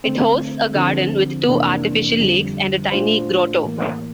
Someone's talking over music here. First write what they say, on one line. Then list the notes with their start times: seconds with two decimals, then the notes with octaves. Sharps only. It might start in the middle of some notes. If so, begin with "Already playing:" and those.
It hosts a garden with two artificial lakes and a tiny grotto.
0.04 D3 A3 C4
0.76 D3 F3 C4
1.48 F2 C3 E3 A#3 D4
2.20 F2 D3 G3
2.92 A#2 A3 D4 F4 C5
3.64 A2 E3 A#3